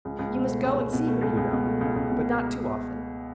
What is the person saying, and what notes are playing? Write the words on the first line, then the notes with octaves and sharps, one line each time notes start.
You must go and see her, you know; but not too often.
C#2
C#2
B2
A3
C#2
C#2
B2
A3
C#2
C#2
B2
A3
C#2
C#2
B2